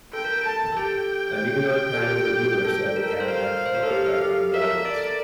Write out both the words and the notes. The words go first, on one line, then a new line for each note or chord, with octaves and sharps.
A "New York Times" reviewer said it had a "magical effect" on the audience.
A4 G5
A#4
A4
A5
A4
G4 G5
A4
G4
A4
A#4
A4
A#4
C5
A#4 F5
C5
A#4
A4
G4
A4
G4
A#4 E5
A4
A#4
A4 D5
A#4